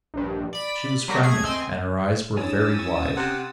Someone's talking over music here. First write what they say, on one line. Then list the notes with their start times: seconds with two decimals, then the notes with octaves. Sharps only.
She was frowning, and her eyes were very wide.
0.14 A#1 G2
0.53 D5 B5
1.08 F#3 G3 A3 A#3 F#4 G4
1.23 A3 G#4 G#6
1.44 C4 D#5 G#5 C6
2.37 E3 D4 C#5 G#5 D#6 E6 A6
2.79 C#4 G#5 C#6
3.16 C3 F#5